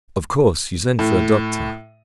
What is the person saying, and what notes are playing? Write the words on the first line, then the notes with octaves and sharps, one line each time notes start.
"Of course you sent for a doctor?"
A2